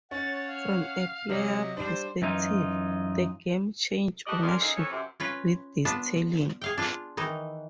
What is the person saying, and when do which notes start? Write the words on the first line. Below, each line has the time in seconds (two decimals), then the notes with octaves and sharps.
From a player perspective, the game changed ownership with this telling.
0.11 C#4 C#5 F#5 A6
0.47 F5
1.29 C3 F#3 D#5
1.77 G3 D4 C5
2.22 F#2 E3 D#4 F4
4.27 G3 A3 F#4 D5 D#5
4.42 G2 C#4 F4 A#4 C5 D5
4.60 F#2 D#4 G#4 A4 F5
4.77 F2 E3 F3 A4 C#5
4.91 F#2 C3
5.20 C#4 F4 B4
5.85 B3 D4 F4 A5
6.61 G#4 F5 G5
6.78 D4 F4 F5
7.17 D#3 E3 D#4